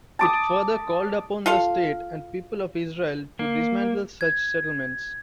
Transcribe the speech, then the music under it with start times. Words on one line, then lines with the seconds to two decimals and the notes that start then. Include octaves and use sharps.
It further called upon the State and people of Israel to dismantle such settlements.
0.19 A5 D6 D#6
1.46 F4 A4 F5
3.39 A#3
4.21 G#6